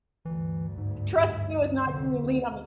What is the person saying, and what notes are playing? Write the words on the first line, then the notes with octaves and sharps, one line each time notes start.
trust you is not "can you lean on me?"
D2 G2 E3
G#2
C2 F2 D3
D2